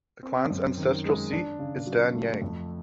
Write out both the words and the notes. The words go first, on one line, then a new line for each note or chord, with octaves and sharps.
The clan's ancestral seat is Danyang.
C4
F#2
D#3
G#3
D4
C#3
F#3
A3
F2